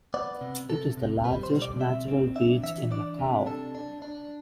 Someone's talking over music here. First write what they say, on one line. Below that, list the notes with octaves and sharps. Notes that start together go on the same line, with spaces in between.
It is the largest natural beach in Macau.
B3 D5
C3
C3 A4
C3
G3 B4
C5
B2
D5
C4 E5
C4
D4 E5
E3 E5
D4 D5
C3
D4 A4
D4
D4